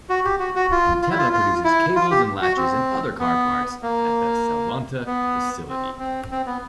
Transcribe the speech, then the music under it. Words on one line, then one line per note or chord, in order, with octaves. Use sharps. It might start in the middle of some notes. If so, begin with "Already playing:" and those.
Inteva produces cables and latches and other car parts at the Salonta facility.
F#4
G4
F#4
F#4
F4
F4
E4
F4
F4
E4
F4
G4
F#4
C4
B3
A#3
B3
C4
C4
C4
B3